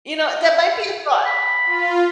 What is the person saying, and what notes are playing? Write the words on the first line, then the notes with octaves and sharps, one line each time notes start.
You know, that might be a thought.
B5
F4